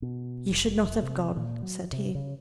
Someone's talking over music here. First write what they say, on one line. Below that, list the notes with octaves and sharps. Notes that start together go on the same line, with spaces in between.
"You should not have gone," said he.
B2
F1
C3
A#2
F#3
C3
C#3